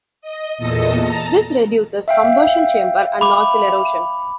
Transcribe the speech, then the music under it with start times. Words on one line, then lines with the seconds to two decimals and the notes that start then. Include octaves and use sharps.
This reduces combustion chamber and nozzle erosion.
0.22 D#5
0.58 E2 A#2 A4 D#5 A#6
1.02 A5 A#5
2.08 E5 F5 G5
3.21 B5 D6